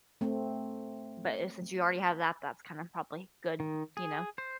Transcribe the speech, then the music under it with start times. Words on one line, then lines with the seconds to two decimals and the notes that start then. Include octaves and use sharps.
but, uh, since you already have that, that's kinda probably good. You know,
0.21 A3 C4
3.60 D#3
3.97 G#4
4.38 C5